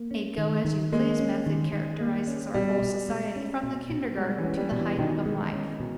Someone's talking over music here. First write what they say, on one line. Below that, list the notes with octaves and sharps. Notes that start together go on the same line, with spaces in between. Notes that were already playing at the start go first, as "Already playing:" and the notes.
A go-as-you-please method characterizes our whole society from the kindergarten to the height of life.
Already playing: A#3
C#4
D#3
D#3
G#3 A#3
C#4
D#3
D#3
A#3
C#4
B2 G3
B2
G#3
C#4
B2
B2
G3 G#3
E3
C#4
G3
B2
E3
B2 D#3
G#3
C#4
B2